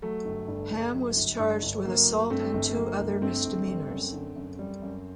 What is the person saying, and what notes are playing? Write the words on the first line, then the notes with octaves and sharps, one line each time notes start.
Hamm was charged with assault and two other misdemeanors.
F#3 A3
G1
G2
G1
F#3
G1
G2
G1
F#3 A#3
G1
G2 A3 C4
G1
A3
F#3 A#3
G1
G2 A3 C4
G1
G3
F#2
D3
F#2
G3
F#2